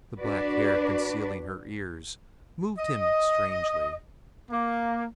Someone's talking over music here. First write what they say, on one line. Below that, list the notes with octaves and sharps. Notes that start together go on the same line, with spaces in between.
The black hair concealing her ears moved him strangely.
D4 F#4 B4 D5
D#5
A#3